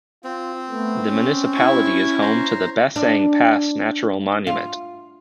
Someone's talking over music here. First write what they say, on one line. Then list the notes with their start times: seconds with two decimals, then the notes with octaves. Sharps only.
The municipality is home to the Bessang Pass Natural Monument.
0.24 C4 F4
0.69 A3 B3
1.06 C#4
1.53 E4 C#6
2.22 C5 A#5
2.96 D4
4.47 F4